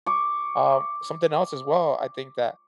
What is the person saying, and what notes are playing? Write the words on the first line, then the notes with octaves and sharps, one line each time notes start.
Um, something else as well, I think that
C#6 D6